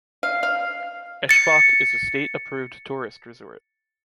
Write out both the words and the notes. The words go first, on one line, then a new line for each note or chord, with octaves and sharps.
Eschbach is a state-approved tourist resort.
F5
F5
A6 C#7